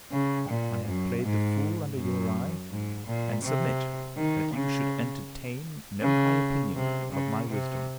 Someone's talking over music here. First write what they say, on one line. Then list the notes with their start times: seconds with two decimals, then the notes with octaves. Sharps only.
I have played the fool under your eye, and submit that you should entertain no high opinion of my wisdom.
0.11 C#3
0.49 A#2
0.86 F#2
1.23 G#2
1.96 F#2
2.71 G#2
3.07 A#2
3.44 C3
4.17 D#3
4.54 C#3
6.02 C#3
6.76 C3
7.12 C#3
7.50 C3